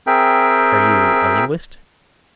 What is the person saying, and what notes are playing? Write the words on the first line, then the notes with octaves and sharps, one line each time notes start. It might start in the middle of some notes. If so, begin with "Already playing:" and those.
"Are you a linguist?"
C4 G#4 A#4 E5 G5